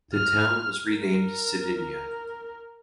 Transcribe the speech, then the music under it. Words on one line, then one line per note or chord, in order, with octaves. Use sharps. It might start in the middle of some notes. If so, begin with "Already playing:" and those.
The town was renamed Cedynia.
F6
A#4